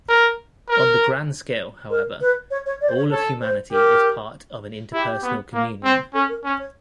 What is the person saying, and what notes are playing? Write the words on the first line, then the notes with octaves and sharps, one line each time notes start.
On the grand scale, however, all of humanity is part of an interpersonal communion.
A#4
A#4
A#4
B4
C#5
C#5
D5
C5
C#5
A4 C#5
C5
G4 A#4
E4 G4
B3
A#3
C4
C#4 A4
A#4
C#4
C#5